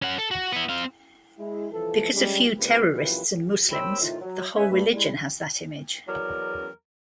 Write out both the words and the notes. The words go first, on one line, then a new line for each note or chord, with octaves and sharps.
Because a few terrorists are Muslims, the whole religion has that image.
C#4 F#5
A4
F#4
B3 E4
C4 F5
G#3 E4 G#4
C2 E3 F3 A4
G3 G#3 C#4
C#2 C3 A#3 G4 B4
A#1 F#2 E3 F4 G4 B4
D#2 C4 C#5 G5 B5 E6
A2 C3 D#3 F4
F#3
C#3 D#4 B4 C#5 E5 G#5
G2 A3
G3 G#3 E4
E2 F#3 A#4 D5